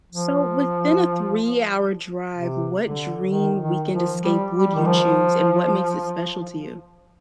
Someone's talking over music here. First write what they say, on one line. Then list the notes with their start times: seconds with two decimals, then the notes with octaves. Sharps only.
So within a three-hour drive, what dream weekend escape would you choose and what makes it special to you?
0.12 F3
2.33 C3
2.81 D3
3.28 D#3
3.59 D#3
3.91 F3
4.22 G3
4.54 G3
4.75 D#3
4.86 F3